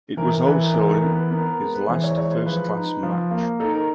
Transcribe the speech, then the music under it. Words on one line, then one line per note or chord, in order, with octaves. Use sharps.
It was also his last first-class match.
E3 A#4
A#4
E3 B4
A#4
E3 A#4
A4
A#4
B3
B4
B3 A#4
A#4
G#3 A#4
B4
E3 C5
C#5
G#3 C#5
C5
F3 B4
D#4
F3
A#3
D#4 A4
A#4